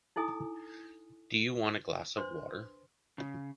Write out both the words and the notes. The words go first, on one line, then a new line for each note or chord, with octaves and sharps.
Do you want a glass of water?
D#4 E4 A4 G#5 D#6
D4 B4 C5 C6
C#3